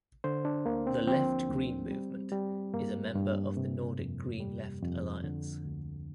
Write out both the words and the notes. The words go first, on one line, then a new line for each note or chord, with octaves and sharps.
The Left-Green Movement is a member of the Nordic Green Left Alliance.
D3 C5
D4
D2 A#3
C4
F3 C4
D2
G3
G3
G2 A#3
G2
C3
F2
G3
F2
D3
D2